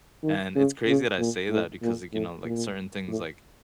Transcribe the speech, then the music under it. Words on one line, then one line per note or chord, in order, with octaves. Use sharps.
and it's crazy that I say that because, like, you know, like, certain things, like
D#3
C#3
C#3
A#2
A2
A#2
A2
A#2
A2